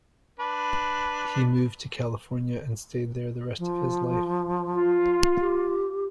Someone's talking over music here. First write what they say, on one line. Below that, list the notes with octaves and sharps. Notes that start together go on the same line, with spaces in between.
He moved to California and stayed there the rest of his life.
D4 B4
F3
F4
G4